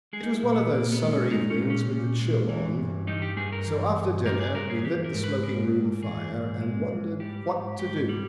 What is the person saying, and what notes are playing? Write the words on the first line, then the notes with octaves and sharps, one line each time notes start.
It was one of those summer evenings with the chill on, so after dinner we lit the smoking-room fire and wondered what to do.
G#3 G#4
D#4
E4
A#2
B3
A#2 A#3
B3
G#3
C#4
G#3 D#4
C#4
A#2
C#4
A#2
G#3
E3
G2
G3 D#4
G4
G2 G#4
A#4
E3
G2
G3 A#4
G#4
G2 A#4
G#4
E3 G4
A#4
G#2
B4
G#3 A#4
G#2
E3 G#4
G#2
G#3
G#2
G3 G4
G#2
G#2 G4
G3